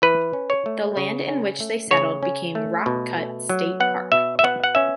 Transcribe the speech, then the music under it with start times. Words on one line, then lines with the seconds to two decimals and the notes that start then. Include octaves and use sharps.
The land in which they settled became Rock Cut State Park.
0.02 E3 B4
0.33 C#4
0.50 C#5
0.66 A3
0.97 C#3
1.29 C#4
1.60 A3
1.91 C#3 C#5
2.23 C#4
2.55 A3
2.86 B2
3.17 A3
3.49 F#3
3.80 B3 F#5
4.12 B2 E5
4.39 E5
4.43 B3 F#5
4.64 F#5
4.75 C#4 E5